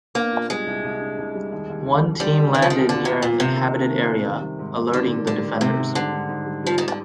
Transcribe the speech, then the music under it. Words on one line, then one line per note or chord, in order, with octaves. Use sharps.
One team landed near an inhabited area, alerting the defenders.
A#3 D4
A#2
G3 G#3
C2
C2
D4
C2
G3
D#2
D#2
D#2
D#2
D3 G3
D#2
D#2 D#3
F3
D#2 D#3
D3 F4
C3 F4
A#2 A#3
C3 F4
D#3
D#3
D#3
D#3
D#3
G3
G#2
A#3
D3 D#3
D#3
D3 G3
D#3
G#2 C3
G#2
D3 G3
G#2
G#2
G3
F3 G3
D#3
D3